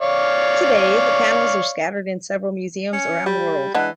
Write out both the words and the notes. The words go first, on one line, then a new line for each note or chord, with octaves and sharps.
Today the panels are scattered in several museums around the world.
C#5 D5 F5
C#4
G3 G4
E3 G#3 D4 F#5